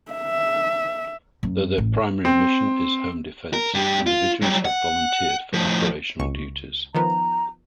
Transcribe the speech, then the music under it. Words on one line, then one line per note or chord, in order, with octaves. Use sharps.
Though their primary mission is "home defence", individuals have volunteered for operational duties.
E5
F#2
A1
C4
A#4
G2 G4
F4
F#3 G3
F#5
A2 F3
C#2 C#6
D#3 F3 B3 A#5